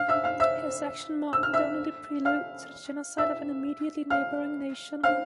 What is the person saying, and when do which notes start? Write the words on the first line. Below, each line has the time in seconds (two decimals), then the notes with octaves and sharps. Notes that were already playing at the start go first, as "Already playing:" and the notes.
His action marked only the prelude to the genocide of an immediately neighboring nation.
Already playing: F5 F6
0.08 E5 E6
0.24 F5 F6
0.40 E5 E6
1.33 E6
1.43 F6
1.53 E5 E6
2.25 F5 F6
3.18 E5 E6
4.10 F5 F6
5.04 F5 F6